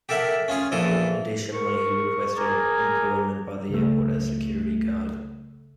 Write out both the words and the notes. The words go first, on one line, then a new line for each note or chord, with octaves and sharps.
Additionally, he requested employment by the airport as a security guard.
G4 A4 A#4 E5 F#5
C#4 F4 G#4 C#5
A#1 E2 A#2 E3 A4 D#6
A#4 C#6
G#4 A#4 D5 G#5 A#5
C#2 A3